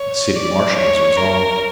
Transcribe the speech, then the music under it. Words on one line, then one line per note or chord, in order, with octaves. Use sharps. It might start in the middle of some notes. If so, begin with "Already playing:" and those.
The city marshal was resolved.
Already playing: C#5
D5
C#5
A#4